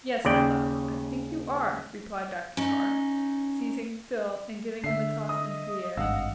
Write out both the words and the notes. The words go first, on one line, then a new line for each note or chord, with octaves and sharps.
"Yes, my love, I think you are," replied Dr. Carr, seizing Phil and giving him a toss into the air.
D#2 C#3 D5 G5
C#4 D#4
D3 E5 C7
D#5 D#6
G#1 G2 F5 F#5 E6